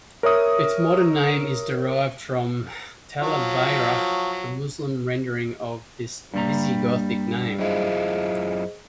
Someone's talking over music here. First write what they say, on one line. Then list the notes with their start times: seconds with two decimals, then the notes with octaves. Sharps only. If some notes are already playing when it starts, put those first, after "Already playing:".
Its modern name is derived from "Talabayra", the Muslim rendering of this Visigothic name.
0.23 A#4 C#5 E5 D#6
3.21 F3 F#3
6.34 G2 G3 A#3 A#5
7.59 F#2 E4 F4 G#4 C5 D#5